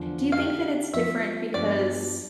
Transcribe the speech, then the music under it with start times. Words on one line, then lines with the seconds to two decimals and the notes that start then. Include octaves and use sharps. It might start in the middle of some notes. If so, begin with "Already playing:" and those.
Do you think that it's different because
Already playing: E2 D3 F3 A3 D4
0.32 D3 A3 D4 G4 F5
0.94 F3 B3 F4 E5
1.54 G2 F3 B3 D4 G4 D5